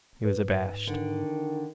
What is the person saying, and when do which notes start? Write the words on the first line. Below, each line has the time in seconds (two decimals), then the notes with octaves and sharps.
He was abashed.
0.25 G#2 B4
0.87 D3 D#3